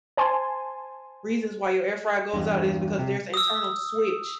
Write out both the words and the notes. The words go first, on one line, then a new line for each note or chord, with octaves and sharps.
reasons why your air fryer goes out is because there's an internal switch
C5 G#5 A5 C6
E2 G2
C3
D#6 E6